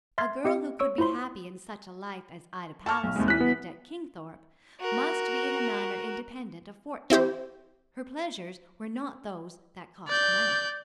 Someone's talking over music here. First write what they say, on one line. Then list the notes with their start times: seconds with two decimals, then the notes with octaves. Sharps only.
A girl who could be happy in such a life as Ida Palliser lived at Kingthorpe must be in a manner independent of fortune; her pleasures were not those that cost money.
0.18 E5 C6 F6 G#6 A6 C7
0.45 C4 G4 D#5 C#7
0.79 C#5 C#6 E6 D7
0.98 E4 F4 C5 B5 C6
2.86 A5 C#6 F6
3.03 B1
3.16 D#2 C3 G#3
3.28 E3 F#6 B6
3.40 B3
4.80 F#4 A#4
7.10 C4 E4 G4 C5
10.08 D5 G6